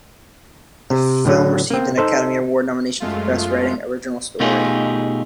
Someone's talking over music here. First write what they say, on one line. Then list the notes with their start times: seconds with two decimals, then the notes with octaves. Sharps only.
The film received an Academy Award nomination for Best Writing, Original Story.
0.90 C3
1.25 A2 D3 F#3
1.70 A#3 C4
1.98 D#4 A4 C5
3.00 F#2 G#3 A3 F4
4.40 B2 A3 D#4 F4 G4 G#4